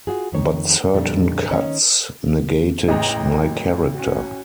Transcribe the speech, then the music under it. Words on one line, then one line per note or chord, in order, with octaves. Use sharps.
But certain cuts negated my character.
F4 F#4 G#4
F2 D#3 C#5
F2 A#2 D3 G3 A3 D4
D#3 C#4 C#5 D#5
A1 G#4 D#5 G5 A#5
F#3
C#4 F#4